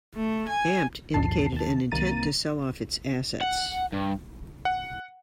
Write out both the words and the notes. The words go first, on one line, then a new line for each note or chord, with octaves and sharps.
Amp'd indicated an intent to sell off its assets.
A3
G#5
A#1 D#2 G#2 A5 C7
D#2 A5
C2 D#3 A#3 A#5 A6 D#7
F#5
G2
F#5